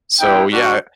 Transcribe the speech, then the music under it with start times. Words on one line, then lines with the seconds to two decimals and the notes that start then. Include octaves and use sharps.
so yeah
0.20 B3 E4 G4 G5
0.51 G3 D4 F#4